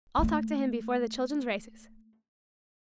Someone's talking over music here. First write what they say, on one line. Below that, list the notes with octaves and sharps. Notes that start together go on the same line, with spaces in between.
I'll talk to him before the children's races.
A3 A#3